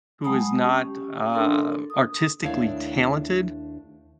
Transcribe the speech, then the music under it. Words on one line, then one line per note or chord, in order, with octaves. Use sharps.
who is not, uh, artistically talented,
F#3 G#3 G5 A5 B5 D#6
C#4 G4
D4 A4 A#4 C6
D#6
D#2 A3 D4 E4 C#5 F5